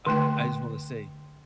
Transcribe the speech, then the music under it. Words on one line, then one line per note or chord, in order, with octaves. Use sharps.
I I I just wanna say,
D3 A3 G5